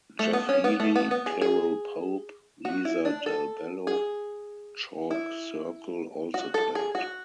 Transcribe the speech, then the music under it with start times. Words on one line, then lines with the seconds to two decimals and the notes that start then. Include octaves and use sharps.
Jeff Healey, Carole Pope, Lisa Dalbello, Chalk Circle also played.
0.19 A3
0.33 B3
0.49 C#4
0.64 B3
0.80 A3
0.96 B3
1.11 B3
1.26 G#4
1.41 G#4
2.65 F#4
2.85 E4
3.05 D4
3.26 A4
3.87 G#4
5.11 E4
6.34 F#4
6.54 A4
6.75 G#4
6.95 F#4